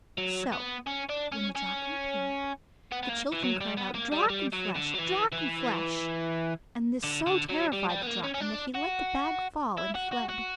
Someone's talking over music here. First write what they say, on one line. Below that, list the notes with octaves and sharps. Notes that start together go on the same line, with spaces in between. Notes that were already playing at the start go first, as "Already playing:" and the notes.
So, when the Draken appeared, the children cried out: 'Drakenflesh! Drakenflesh!' and this so terrified the Draken that he let the bag fall and fled.
F#3
B3
C#4
D4
C#4
C#4
B3
B3
A#3
E3
F#3
G3
B3
A#3
G3
G3
F#3
D3
F#3
E3
E3
D3
D3
F#3
G3
G3
B3
A#3
C#4
C#4
D4
F#4
E4
F#4
F#4
F#4